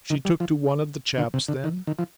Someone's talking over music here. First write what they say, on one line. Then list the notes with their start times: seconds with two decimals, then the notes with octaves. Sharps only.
'She took to one of the chaps then?'
0.10 D#3
0.25 G3
0.40 F3
1.18 D3
1.34 C3
1.48 D3
1.64 D#3
1.87 D#3
1.99 F3